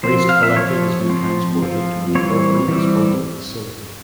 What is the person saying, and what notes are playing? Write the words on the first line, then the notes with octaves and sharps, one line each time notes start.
Waste collected is then transported to an appropriate disposal facility.
F3 C4 C5
F5
E5
F3 C4 C#5
F3 C4
F3 C4
E3 G3 C4 C#5
E3 G3 C4